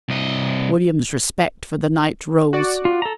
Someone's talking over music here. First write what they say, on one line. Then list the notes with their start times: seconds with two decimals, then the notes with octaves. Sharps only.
William's respect for the knight rose.
0.09 C2 D#5
2.53 F#4 D5 F#5
2.85 F4
3.02 A4 A#5